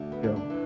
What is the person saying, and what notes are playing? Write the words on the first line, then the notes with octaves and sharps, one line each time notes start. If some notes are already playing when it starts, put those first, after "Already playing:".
you know?
Already playing: D2 D3
B3
D4
D4
E3